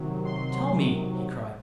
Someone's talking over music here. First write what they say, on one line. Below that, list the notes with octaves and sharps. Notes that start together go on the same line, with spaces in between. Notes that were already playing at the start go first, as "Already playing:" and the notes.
"Tell me!" he cried.
Already playing: C3 D#3 F#3
C6